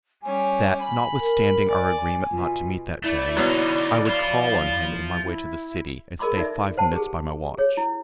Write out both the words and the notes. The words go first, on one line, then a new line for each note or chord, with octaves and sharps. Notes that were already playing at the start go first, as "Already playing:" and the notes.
That notwithstanding our agreement not to meet that day, I would call on him in my way to the city, and stay five minutes by my watch.
G3 C#4 G#5
B5
A#4
D5 G#5
B2 F4
A3 E4 D5 B5
B2 D3 F#3 D#4
F3 F4
E4
G#4 A#4 D#5 B5 C6 D6
D#4 A4 D5 E5
C5 F#5 A5
G4 G#4
G#4 C#5
E4